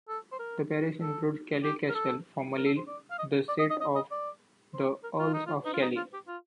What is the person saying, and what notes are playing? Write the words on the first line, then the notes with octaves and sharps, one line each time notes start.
The parish includes Kellie Castle, formerly the seat of the Earls of Kellie.
A4
C5
A#4
A4
G4
A#4
A4
A#4
A4
C5
D5
F5
D#5
D5
D#5
D#5
D#5
D#5
D5
C5
A#4
F4
D#4
F4
D#4
F4
D#4
F4
G4
F4